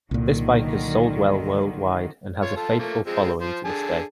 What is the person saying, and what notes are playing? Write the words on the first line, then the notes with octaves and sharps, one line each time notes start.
This bike has sold well worldwide and has a faithful following to this day.
C2 A#2 D3 D#3 F#3
F4 C#5
F4 A4 A5
F3 A3 A#3
F3 G#3 C4
F3 C5
D3 G#4 A5